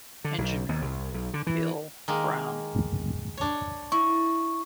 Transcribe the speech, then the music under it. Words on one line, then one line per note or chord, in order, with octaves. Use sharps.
Engineer: Phill Brown.
D3
B1
D#2
C2
B1
D3
E3
D#3 G#3 A#3
D4 C#5
E4 C#6